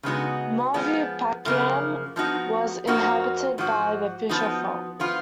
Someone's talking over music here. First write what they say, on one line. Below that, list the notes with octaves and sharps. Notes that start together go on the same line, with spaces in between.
Maruvurpakkam was inhabited by the fisher folk.
C#3 G#3 B3 D#4 F#4
F3 G#3 B3
F#2 C#3 F3 A#3
F3 B3 D#4 F#4
F2 F3 A#3 D#4 F#4
G#2 F3 F#4
F3 B3 D#4 F#4
F3 B3 F4